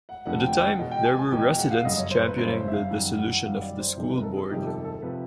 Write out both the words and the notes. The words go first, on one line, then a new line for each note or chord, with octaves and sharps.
At the time there were residents championing the dissolution of the school board.
F#5
F1 F2 D3 F#5
G5
G5
F#5
E2 B2 G#3
G5
G#5
G#5
E2 B2 G#3 G5
G5
F#5
F5
G1 F#2 C#3 D#5
C#5
C5
B4
G1 F#2 C#3 C5
C#5
C5
E5
F5
F#2 D#3 G3 F#5
F#5
F#2 D#3 G3 F5
D5
C5
G1 F2 C3 D#3 G#3
B4
A#4
A4
G#4
G1 F2 C3 D#3 G#3 G4
A4
A4
C3 F3 B4